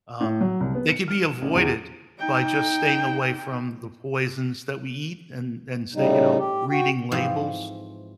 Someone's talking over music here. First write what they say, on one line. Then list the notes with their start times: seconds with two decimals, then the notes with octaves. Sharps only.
um they could be avoided by just staying away from the poisons that we eat and and stay you know, reading labels
0.21 A2
0.41 F#3
0.61 C2
0.75 B3
0.91 C#7
1.08 F6
1.23 E7
1.42 A1
1.55 E2
2.19 D#4 G5
5.95 A2 C#3 G3 D#4
6.39 G4
6.70 F#4 G5
7.12 G#2 E3 F3 C4